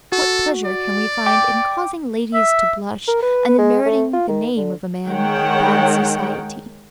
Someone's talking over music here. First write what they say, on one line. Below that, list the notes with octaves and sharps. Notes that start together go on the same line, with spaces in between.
What pleasure can we find in causing ladies to blush, and in meriting the name of a man of bad society?
F#4 A4
D5
G5 D6
E5
A#4
B4
G#3
A3
F4
D#3
D3
D#3 G#3 C#5 F#5 G5